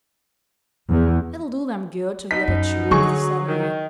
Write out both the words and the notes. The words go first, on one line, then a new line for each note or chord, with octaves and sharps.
"It'll do them good to hear the truth," said he.
E2
B2 D#4 B6
F#2
D3 F#3 G#4 C#6
D#3